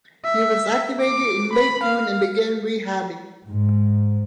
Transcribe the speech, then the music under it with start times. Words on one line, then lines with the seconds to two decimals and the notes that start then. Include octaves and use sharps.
He was activated in late June and began rehabbing.
0.25 E5
1.02 D6
1.53 B5
1.83 F5
3.47 G#2